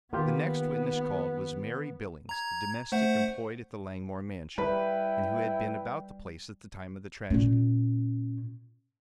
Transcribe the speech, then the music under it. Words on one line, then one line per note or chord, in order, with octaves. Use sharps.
The next witness called was Mary Billings, the domestic employed at the Langmore mansion, and who had been about the place at the time of the tragedy.
D#3 A#3 B3 F4 G4
A#5 G#6
A3 C5 F#5
G3 E4 B4 G5
A#2 C#4